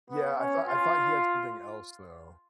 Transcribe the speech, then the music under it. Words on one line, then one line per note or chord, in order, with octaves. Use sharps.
Yeah, I thought I thought he had something else though.
B3
C#4
F4